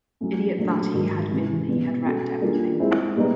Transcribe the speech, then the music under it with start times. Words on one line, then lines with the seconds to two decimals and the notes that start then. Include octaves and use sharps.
Idiot that he had been, he had wrecked everything!
0.21 F#3 A3 C#4
0.57 A#2 F#3 A3 D4 F#4
0.93 G#2 D#3 G#3
1.31 C3 E3 G#3 C#4
1.68 B2 G3 B3
2.05 G#3 C#4 F#4 A4
2.41 G3 A#3 D4 F4 G#4
2.79 G#3 C4 E4
3.16 A#2 G3 B3 D#4